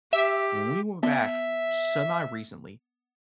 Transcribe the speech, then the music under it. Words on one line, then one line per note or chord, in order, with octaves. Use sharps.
When we went back semi-recently,
G4 E5
B3 E5